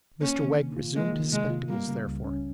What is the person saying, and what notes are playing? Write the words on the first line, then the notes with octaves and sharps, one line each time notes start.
Mr Wegg resumed his spectacles therefore.
A#3 C#4
D#3
C3
F4
G#3 A#3
D#3
C3 G#3
F4
G3 A#3
C#3
C#2
C#4